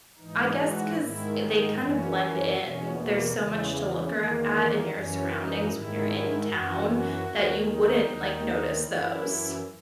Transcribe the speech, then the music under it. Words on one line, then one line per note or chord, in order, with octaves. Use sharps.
I guess 'cause they kinda blend in; there's so much to look ar at in your surroundings when you're in town that you wouldn't, like, notice those.
G#2 E3 D#4
F#4
G#2 D#3 E4
D#4
F#2 E3 C#4
E2 B2 C#4
A#3
E2 C#3 E3 G#3
E2 D#3 A#3
F#2 E3 C#4
D#4
G#2 D#3 E4
F#2 E3 F#4
F#4
D#2 D#3
D#4
D#2 D#3
F#2 E3 E4